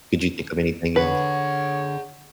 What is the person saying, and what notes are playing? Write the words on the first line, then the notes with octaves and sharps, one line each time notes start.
could you think of anything else?
D3 G#4 B4 C#5 F#5